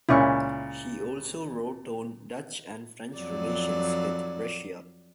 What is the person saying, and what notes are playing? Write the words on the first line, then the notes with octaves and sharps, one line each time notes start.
She also wrote on Dutch and French relations with Russia.
C#2 A#2 C#4 E4 C#6
F2 F#3 D5